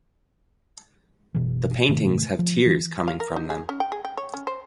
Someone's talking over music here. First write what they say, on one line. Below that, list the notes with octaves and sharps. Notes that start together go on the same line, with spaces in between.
The paintings have tears coming from them.
F#1 B2 E3
G#2 C3 D#3 A3
F3
E3
F5
A#4
D#4
G#4
C#4
G5
G#4
G5
C#5
C#4
C5